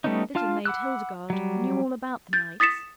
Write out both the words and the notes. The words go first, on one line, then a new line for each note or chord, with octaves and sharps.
Little Maid Hildegarde knew all about the knights.
G3 A3 B3 C#4 D#4
D4 F4 F5 A5 F6
F#5 B5 D6 E6 F#6
F#3 G3
G6 A6
D#6 A6 B6 C#7 E7